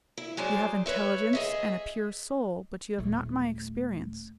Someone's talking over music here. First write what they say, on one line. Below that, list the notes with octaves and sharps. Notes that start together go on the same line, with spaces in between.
You have intelligence and a pure soul, but you have not my experience.
E4
F#3 G#3 G#4 C5 D5
B4 C#5 E5
G#4 D#5 E5
D#1 A3